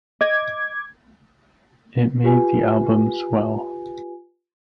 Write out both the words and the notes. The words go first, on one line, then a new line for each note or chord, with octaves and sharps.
It made the album swell.
D#5 D6 G#6
F4 G4 B4 G#5